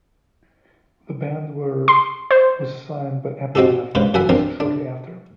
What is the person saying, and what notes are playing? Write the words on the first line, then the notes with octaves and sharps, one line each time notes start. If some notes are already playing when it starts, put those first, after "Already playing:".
The band were was signed by Epitaph Records shortly after.
C6
C5
C4 D#4 F#4 G4 A4
G#2 C#3 B4 C5
F#2 E3 A4 F#5 G#5 B5
F2 C4 D4 A#4
D4